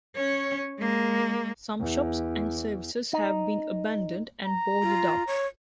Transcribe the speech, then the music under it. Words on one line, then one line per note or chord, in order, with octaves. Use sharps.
Some shops and services have been abandoned and boarded up.
C#4 C#5
G#3 A#3
E2
D#4
A#5
F4
C#5